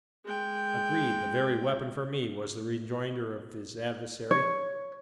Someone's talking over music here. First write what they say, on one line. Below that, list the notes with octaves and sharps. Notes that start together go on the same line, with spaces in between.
"Agreed! the very weapon for me!" was the rejoinder of his adversary.
G#3 G5
C#5